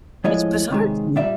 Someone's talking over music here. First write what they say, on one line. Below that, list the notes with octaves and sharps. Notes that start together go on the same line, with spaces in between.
It's bizarre to me.
A2 F3 G#3 C#5 D#5
C3 D#3 G#3
A#2 G3 D5 E5